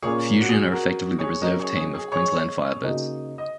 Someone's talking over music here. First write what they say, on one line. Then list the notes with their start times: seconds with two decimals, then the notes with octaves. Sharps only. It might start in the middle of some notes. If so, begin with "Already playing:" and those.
Fusion are effectively the reserve team of Queensland Firebirds.
0.02 A#2 A#3 C#4 G#4 C#5
0.41 F#4
0.49 G#4
0.72 F#4 A#4
1.19 G#4 C#5
1.42 F#3 C#4 F#4 A#4 D#5
1.59 G#4 C#5
1.77 G#4
1.94 G#4
2.12 G#4 C#5
2.81 C#3 A#3 D#4 F#4 D#5
3.38 D#5